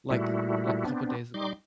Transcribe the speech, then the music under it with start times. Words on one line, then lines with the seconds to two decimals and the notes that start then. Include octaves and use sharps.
like like, couple days ago.
0.10 A#2 G3 A3 E4 F#4
0.85 B3 C4 D4
1.34 G3 D#4 C6 D6